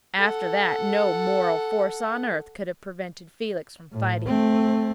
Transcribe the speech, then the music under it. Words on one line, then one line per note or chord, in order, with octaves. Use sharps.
After that, no moral force on earth could have prevented Felix from fighting.
A4 F#5
A2
A3 C4